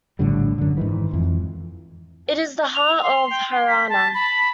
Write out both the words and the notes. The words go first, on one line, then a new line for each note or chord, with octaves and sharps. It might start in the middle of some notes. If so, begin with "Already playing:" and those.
It is the heart of Haryana.
A#1 A2 D3 G3
F#2 D3
G#2 D#3 E3
F2 E3
F7
C6
G5
C6
B6
A5
B5